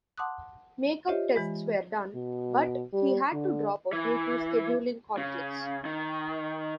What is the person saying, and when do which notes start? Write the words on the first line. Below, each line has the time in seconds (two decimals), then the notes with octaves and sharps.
Make-up tests were done, but he had to drop out due to scheduling conflicts.
0.18 F#5 A5 C6 D6 D#6 F#6
1.08 F4 G4 C5 C#5 D#5 E5
1.35 E3 G#3 B5
2.15 B2
2.93 G3
3.33 D3
3.93 E3
5.18 C#3
5.85 D#3